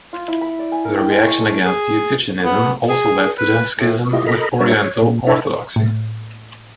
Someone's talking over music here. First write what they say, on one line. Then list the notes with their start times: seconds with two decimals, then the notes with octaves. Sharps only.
The reaction against Eutychianism also led to the schism with Oriental Orthodoxy.
0.13 F4
0.28 E4
0.41 B5
0.59 D5
0.72 G#5
0.85 A#4
0.98 G5
1.10 G#3
1.25 C#6
1.41 A4
1.66 G#4
2.45 B3
2.89 G#4
3.39 B4
3.80 A2
4.13 E4 F4 G4 D#5
4.27 A4 A#4 D#5 A#5 B5
4.60 G3 D4 A#4 C5 C#5 E5
4.74 C#5
5.02 A#2
5.27 D4 E4 A4 C#5 E5
5.76 A2